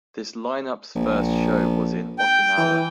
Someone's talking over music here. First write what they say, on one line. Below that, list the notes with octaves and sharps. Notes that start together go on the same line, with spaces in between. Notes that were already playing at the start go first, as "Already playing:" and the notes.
This lineup's first show was in Okinawa.
A#1
G5
E3